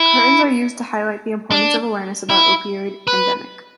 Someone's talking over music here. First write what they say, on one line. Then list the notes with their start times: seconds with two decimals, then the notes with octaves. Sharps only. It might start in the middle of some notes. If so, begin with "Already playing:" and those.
Curtains are used to highlight the importance of awareness about opioid endemic.
Already playing: E4
1.51 D4
2.30 E4
3.07 B4